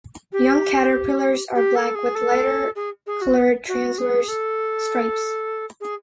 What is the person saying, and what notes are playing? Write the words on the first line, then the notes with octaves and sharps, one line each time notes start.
Young caterpillars are black with lighter colored transverse stripes.
G4
G4
A4
G#4
A4
G#4
G#4
F#4
F#4
G#4
A4
G#4